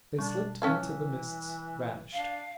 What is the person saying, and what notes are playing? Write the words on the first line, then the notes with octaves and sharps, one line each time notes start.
They slipped into the mists; vanished.
B2 G3 D4 C#6
E3 C#4 A4 F5
D4 F5